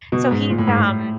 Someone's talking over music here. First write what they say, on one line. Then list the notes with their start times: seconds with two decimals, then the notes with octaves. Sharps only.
so, he's, um
0.12 B2
0.31 G#2
0.50 A#2
0.58 A2
0.67 G#2
0.76 A2